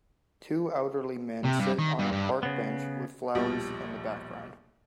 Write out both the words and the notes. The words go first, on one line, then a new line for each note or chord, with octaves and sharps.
Two elderly men sit on a park bench, with flowers in the background.
C3
G2
D#3
G2
G2
C#3 B3
A#1 D#2 B2 F3 G3